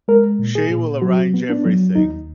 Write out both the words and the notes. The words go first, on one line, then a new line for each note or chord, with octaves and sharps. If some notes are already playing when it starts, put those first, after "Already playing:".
She will arrange everything.
G#3 A#4
A#2
G#4
A#2
F#3 F#4
B3
D4
F#3
D#2 D#4